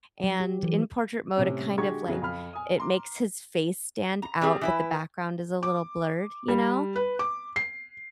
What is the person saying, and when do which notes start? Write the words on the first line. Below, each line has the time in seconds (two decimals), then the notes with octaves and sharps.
and in portrait mode, it kind of, like, it makes his face stand out, but the background is a little blurred, you know?
0.24 F#3
0.40 G4
0.63 E3
1.37 A2 C3 C#4
1.78 D3 G#3 F#4 G4 C#6 G#6
2.07 F2 C#3 F#3
2.22 F2 F5 B5 F6
2.53 G#5 D#6
2.78 A#5 C6 D6
4.22 A#5
4.41 G3 C4 G4 G#4
4.61 E3 E4 B4
5.63 D6
6.48 G3
6.96 B4
7.19 D6
7.56 C7